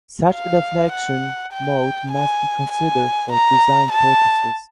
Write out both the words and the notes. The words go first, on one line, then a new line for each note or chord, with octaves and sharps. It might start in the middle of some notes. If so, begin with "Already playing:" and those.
Such a deflection mode must be considered for design purposes.
F5
F#5
G5
G#5
G#5
A#5
A5